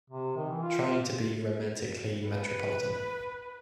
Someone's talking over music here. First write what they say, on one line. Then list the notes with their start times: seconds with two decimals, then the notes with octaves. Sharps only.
Trying to be romantically metropolitan.
0.10 C3
0.37 D#3
0.51 E3
0.62 F4
0.83 F4
2.29 B4